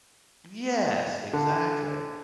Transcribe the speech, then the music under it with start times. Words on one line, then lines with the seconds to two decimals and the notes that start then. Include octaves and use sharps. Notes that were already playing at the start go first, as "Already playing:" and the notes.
Yes, exactly.
1.33 D3